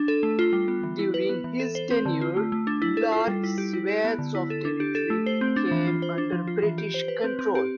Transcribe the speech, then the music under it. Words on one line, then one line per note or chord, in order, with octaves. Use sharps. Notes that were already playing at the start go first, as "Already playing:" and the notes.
During his tenure, large swaths of territory came under British control.
Already playing: D4
A4
A3
F4
G3
B3
E3
E4
B4
B3
E3
A4
C5
C4
D3
F4
A3
A3
D4
E4
A4
F4
G3
E4
G4
E4
G4
B3
D3
E4
A4
D4
G4
A4
A3
C5
C4
D4
E3
F4
C5
D4
F3
F4
E3
G4
C5
B4
C4
C4
G4